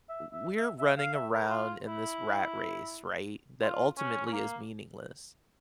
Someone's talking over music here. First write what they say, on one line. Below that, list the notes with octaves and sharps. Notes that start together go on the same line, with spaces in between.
we're running around in this rat race, right, that ultimately is meaningless,
E5
E5
E5
E5
F5
E5
A#4
F4
E4
F4
C#4
C#4
A#3